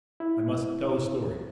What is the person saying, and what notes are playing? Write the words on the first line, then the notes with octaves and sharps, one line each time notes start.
I must tell a story.
E4